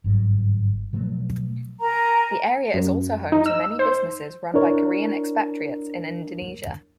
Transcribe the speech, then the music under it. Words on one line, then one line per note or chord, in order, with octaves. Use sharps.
The area is also home to many businesses run by Korean expatriates in Indonesia.
G1 G#2 F#3
B2 F3 F#3 A3
A#4 G#5 A#5
F#2
D#4
E6
C5
D4 E4 A#4 C#5